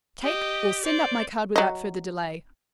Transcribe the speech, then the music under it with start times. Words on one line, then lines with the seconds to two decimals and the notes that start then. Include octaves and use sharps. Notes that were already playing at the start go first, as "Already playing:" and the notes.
Take or send up my card without further delay.
0.23 G4 D#5
0.84 C5 D5
1.56 F#3 D#5